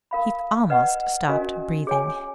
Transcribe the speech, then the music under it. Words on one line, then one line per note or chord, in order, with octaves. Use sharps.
He almost stopped breathing.
A#4 F5 B5
B4 D#5 F#5
C#4 F#4 A#4 D#5 G#5
G#4 C#5 G#5